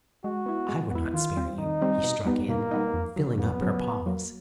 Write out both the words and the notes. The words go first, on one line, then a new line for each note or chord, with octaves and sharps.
"I would not spare you," he struck in, filling up her pause.
G#3 F#4
B3 E4
G#3
B3 E4
D#3 F4
G3 C4
D#3 D#4
G3 C4
B2
G3 B3 D#4
B2 A#3
G3 B3 D#4
F2
C#3 F#3
F2 B3
C#3 F#3
B2
F#3 A#3